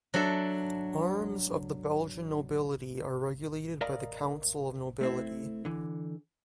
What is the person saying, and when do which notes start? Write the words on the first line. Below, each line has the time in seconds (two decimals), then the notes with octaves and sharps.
Arms of the Belgian nobility are regulated by the Council of Nobility.
0.14 F#3 D4 A4 E5
3.81 A#4 D5 D#5 F5 A#5 B5
5.01 A3 C4 E4
5.65 D3 E3